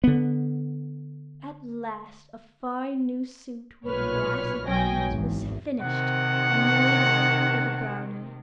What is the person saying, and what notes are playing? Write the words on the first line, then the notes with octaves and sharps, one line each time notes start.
At last a fine new suit with brass buttons was finished and laid out for the brownie.
D3 B3
B1 A#2 B4 C#5 F6
B1 B2 F#3 G5 G#5 A#6
G#1 E2
C3 D#3 F#5